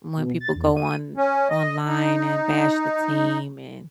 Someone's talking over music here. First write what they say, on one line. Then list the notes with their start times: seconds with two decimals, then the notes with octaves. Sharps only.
when people go on online, and bash the team and
0.17 B2
0.40 A6
0.55 E2
0.76 D#7
1.17 C#4
1.49 D#5
1.86 D#4